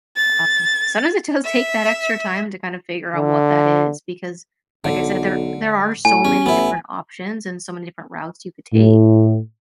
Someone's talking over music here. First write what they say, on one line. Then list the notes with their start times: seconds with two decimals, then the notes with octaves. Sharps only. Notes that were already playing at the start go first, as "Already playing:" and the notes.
um, sometimes it does take that extra time to kinda figure out what that is because, like I said, there there are so many different options and so many different routes you could take.
0.16 A6
1.45 E5
3.16 D3
4.85 B1 D3
6.05 A2 G#5
6.25 E2 C#4
6.46 A1 B3 E4
8.74 A2